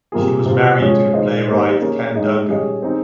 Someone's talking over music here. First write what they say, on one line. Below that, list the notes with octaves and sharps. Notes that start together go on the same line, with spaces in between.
She was married to the playwright Ken Duncum.
C3 G3 A#3 F4 G#4
C3 F3 C4 F4
F3 G#3 C#4 G#4 C#5
G#3 D#4 G#4 C5 D#5
A#3 D#4 G4 C5
A#3 C#4 G#4
G#3 D#4 G#4 D#5
G3 C#4 G#4 D#5
C4 D#4 G#4